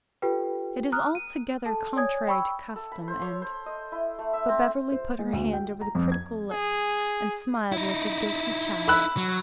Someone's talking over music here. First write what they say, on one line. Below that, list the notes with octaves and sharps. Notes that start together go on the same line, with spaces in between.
"It is altogether contrary to custom, and--" but Beverly put her hand over the critical lips and smiled like a guilty child.
F4 G4 A4 B4 G5
A#5 D#6 F6 F#6
D#7
A4 A5
C#5 D5 G#5 D#6 G#6
G5 B5 C#6 E6
A4
B5
C5
C#5
C5
D#5
E4
A3
E5
C4
C5
G#3
D2
G5
A#5
F2
G#6
G#4
D#4 E4
B5 E6 F#6
F#3